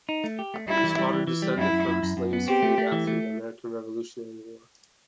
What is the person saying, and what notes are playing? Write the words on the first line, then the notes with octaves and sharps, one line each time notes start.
His father was descended from slaves freed after the American Revolutionary War.
D#4
A3
G4
A3
G3 E4
E3
G3
E3
E3
G3
F#2 E4
F#2
F#2
F#2
F#2
B3
C4 G4
A3
A3
E3
A3